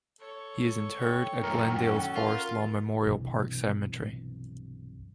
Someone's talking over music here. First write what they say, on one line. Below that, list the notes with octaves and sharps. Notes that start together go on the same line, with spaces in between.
He is interred at Glendale's Forest Lawn Memorial Park Cemetery.
A4 C#5
G5
F#2 A2 D#3 A#4
C#4 F#4 A4
F4 A#4
B1 G2 C3 E3